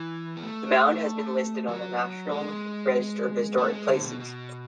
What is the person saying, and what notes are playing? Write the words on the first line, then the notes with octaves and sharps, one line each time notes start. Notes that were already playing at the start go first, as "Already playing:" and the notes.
The Mound has been listed on the National Register of Historic Places.
Already playing: E3
B3
A3
F#3
G#3
A3
G#3
D3
A2
B2
B2